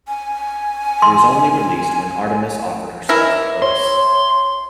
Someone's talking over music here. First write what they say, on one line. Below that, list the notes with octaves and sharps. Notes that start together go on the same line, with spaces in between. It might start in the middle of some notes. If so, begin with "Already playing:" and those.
He was only released when Artemis offered herself to Otus.
G#5
C6
E3 E4 A#4
C#5 C6